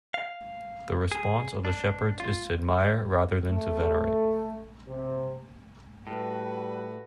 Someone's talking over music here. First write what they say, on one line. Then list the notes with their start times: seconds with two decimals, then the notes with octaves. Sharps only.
The response of the shepherds is to admire rather than to venerate.
0.14 F5
1.12 G#4
1.65 D4
2.20 F4
3.49 A3
4.88 C3
6.07 A2 G3 F#4 B4